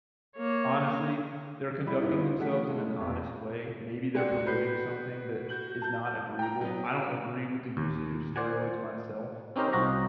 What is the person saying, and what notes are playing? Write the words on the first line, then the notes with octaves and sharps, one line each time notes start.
honestly, they're conducting themselves in an honest way. Maybe they're promoting something that is not agreeable. I don't agree with the usage of steroids myself.
A#3 C#5
G3 E4 B5
G2 B3 C#4 D#4 E4
F4 F#4 B4
E3 A3 C#4 F#5 B6
G#3 A3
F1 E2
G#3 D4 F#4 G4 C#7
F#4 B4 G6 C7
F#4 G6 F#7
A5 G6
G5 A#5
F#3 B3
D#2
C5 D5 F#5 G#5
C4 C#4 D#4 G4 A#4 C5
C2 F4 F#4 D#5 A#5